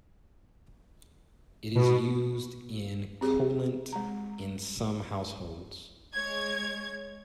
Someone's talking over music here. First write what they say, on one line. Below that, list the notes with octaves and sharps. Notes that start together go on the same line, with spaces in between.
It is used in cholent in some households.
B2
C4 G4 G#4
G#3 A#5
G#3 C#5 G#6